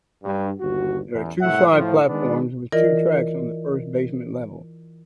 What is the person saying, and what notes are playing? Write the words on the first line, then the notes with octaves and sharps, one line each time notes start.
There are two side platforms with two tracks on the first basement level.
G2
G1 D#2 F#4
A1 E2
C2 A2 E5 F#5
A2 F3
D#3 G#3 B3 D4
E3 E4 F4 A#4 D5 D#5